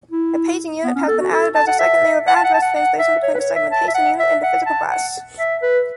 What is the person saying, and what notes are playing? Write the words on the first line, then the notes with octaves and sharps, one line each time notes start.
A paging unit has been added as a second layer of address translation between the segmentation unit and the physical bus.
E4
B3
C#4
A4
F#4
A4
A5
F#5
E5
F#5
A5
F#5
A5
F#5
F#5
E5
C#5
B4
C#5
E5
A5
E5
F#5
E5
F#5
A5
F#5
E5
B4